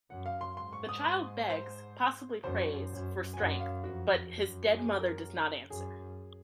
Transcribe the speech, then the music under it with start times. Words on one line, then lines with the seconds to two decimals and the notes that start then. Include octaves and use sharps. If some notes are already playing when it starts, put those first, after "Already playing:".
The child begs, possibly prays, for strength, but his dead mother does not answer.
0.10 F#2 F#5
0.26 F5
0.41 C6
0.57 G#2 C6
0.73 C#6
0.89 D#6
1.04 C6
1.50 C5
2.43 F#2 C5
2.91 F#2
3.33 G#5
3.37 F#2 F#5
3.60 F5
3.84 F2 F#4
4.31 F#2
4.77 G#4
5.00 A#4
5.70 F#2 G#4